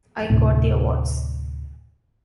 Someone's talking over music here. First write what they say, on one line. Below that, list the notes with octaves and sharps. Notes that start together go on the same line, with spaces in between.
I got the awards.
D2 A2 C3